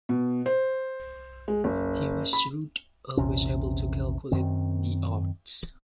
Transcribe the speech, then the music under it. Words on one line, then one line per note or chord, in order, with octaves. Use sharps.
He was shrewd, always able to calculate the odds.
B2
C5
G#3
F#1
B5
A#1 E2 C3 C#4
F#2 D#3 C4